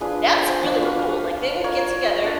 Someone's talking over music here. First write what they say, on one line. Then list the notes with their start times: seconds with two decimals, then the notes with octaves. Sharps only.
"That's really cool," like, they would get together,
0.01 D4 F4 G#4 B4
0.40 C5 G5
0.63 F3 D4 C#6 D6
0.82 F#4 B4 F5 B5
1.64 F4 A#4 C#5 D5
2.24 D4